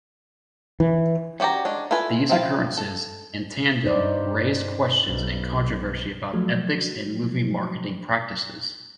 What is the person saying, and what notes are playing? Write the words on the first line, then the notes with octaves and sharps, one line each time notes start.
These occurrences, in tandem, raised questions and controversy about ethics in movie marketing practices.
E3
C#4 F#4 G4 D5 A#5
G#3 C#4 D4
E4 F4 A4 B4 G#5
C4 E4 F4 A4 F5
A4
G2 D#4 C5 D5
B1
F3 F#3 A3 F#4